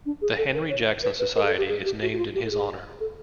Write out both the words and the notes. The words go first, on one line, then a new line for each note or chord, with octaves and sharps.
The Henry Jackson Society is named in his honor.
D4
G#4
A4
A#4
C#5
B4
B4
A#4
G#4
A4
G4
G#4
G4
F#4
F#4
F4
G4
A4
G#4
A4